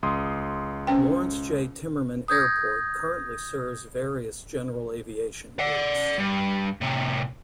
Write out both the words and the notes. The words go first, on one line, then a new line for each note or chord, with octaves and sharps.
Lawrence J. Timmerman Airport currently serves various general aviation groups.
C#2 C6 D#6
C#4 C5 G5
D#6 G6 G#6 A#6
D5 F#5
G2
A2 C3